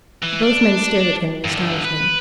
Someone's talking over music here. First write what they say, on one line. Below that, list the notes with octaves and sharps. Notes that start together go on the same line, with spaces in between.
Both men stared at him in astonishment.
E3
D4
G2 D3
B4